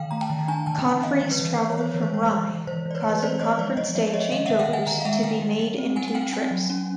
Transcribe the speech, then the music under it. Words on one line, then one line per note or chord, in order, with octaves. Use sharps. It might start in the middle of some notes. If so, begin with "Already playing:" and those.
Conferees traveled from Rye, causing conference day change-overs to be made in two trips.
Already playing: D#3 F5 G5
A3 A#5
G5 A5
D#3
D4 G#5 A#5
D#3 G5 A5
D#3
E3 D#5 F5
G3
B4 C#5
E3
B3 C5
C#5
B3 C5
E3 C#5
C5
G#3 C#5
C5
E3
E3
E3 C5
E3 D5
B4 C#5
E3
C4 C5 D5
G#3 C#5 D#5
F3 C5 D5
F3 C#5 D#5
F3 D5 E5
E5
G#3 C#5 D#5
D#3 D#5 F5
D#3 E5 F#5
F5 G5
D#3 F#5 G#5
D#3 G#5 A#5
F5
G#3 E5 F#5
D#3 F5 G5
G3
G3
C4
G3 F#5 G#5
G#5
C4 F5 G5
C4 F#5 G#5
F#3
C#4